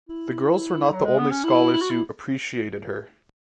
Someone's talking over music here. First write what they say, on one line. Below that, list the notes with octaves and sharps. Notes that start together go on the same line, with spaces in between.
The girls were not the only scholars who “appreciated” her.
E4
F#3
G#3
B3
C#4
E4
E4
F#4
E4